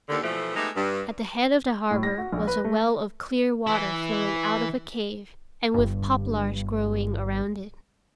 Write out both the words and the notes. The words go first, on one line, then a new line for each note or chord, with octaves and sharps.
At the head of the harbor was a well of clear water flowing out of a cave, and with poplars growing around it.
D#2 D3
B2 E3 F3 A3
G#3 A3 B3 D#4 G4
G2
A2
A#6
F#4
A#1
B4
A3
E3 E4
G1 G2